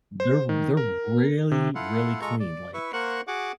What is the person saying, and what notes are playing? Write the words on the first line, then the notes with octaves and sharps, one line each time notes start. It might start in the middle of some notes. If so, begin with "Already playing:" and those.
They're they're really, really clean, like
C5
D#3
A#4
C3
E4 F4 A4 F5 F#5
G#3 F4 A4 A#5 C#6
D5
E4 B4 E5 C#6
A#3 A#4 C5 F#5 C#6 F#6
F#4 G#4 F#5 D6